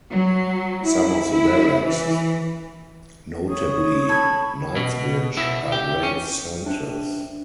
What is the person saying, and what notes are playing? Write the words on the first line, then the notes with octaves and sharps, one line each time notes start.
Some of the barracks, notably Knightsbridge, are great centres.
F#3
E4
E4
E3
C#5 D#6
A4 B5 G#6
B2
B2 E4
G4
C#4
D4 C5 E5 G5